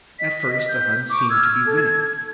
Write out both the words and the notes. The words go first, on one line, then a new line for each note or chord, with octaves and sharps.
At first the Huns seemed to be winning.
D#5 B6
G6
C#6 D6
E6 F6 G#6
A4